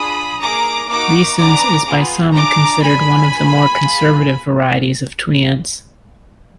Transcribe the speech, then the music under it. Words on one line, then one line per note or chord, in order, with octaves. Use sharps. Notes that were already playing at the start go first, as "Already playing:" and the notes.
Riessens is by some considered one of the more conservative varieties of Tweants.
Already playing: D4 F4 G#4 B5 D#6
A#3 D#4 G#4 A#5 D6
A#3 D#4 F#4 A#5 D6
B3 D4 G#4 A#5 D6
B3 F4 G#4
D4 F4 G#4 A#5 D6
D4 G#4 G#5 B5
A#3 F4 G#4
B3 F4 G#4